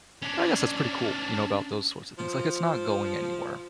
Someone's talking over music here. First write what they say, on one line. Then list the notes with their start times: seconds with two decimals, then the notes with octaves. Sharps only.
but I guess that's pretty cool, you know, about those sorts of things. Like, it's not going anywhere.
0.22 C#4 D4
2.18 F3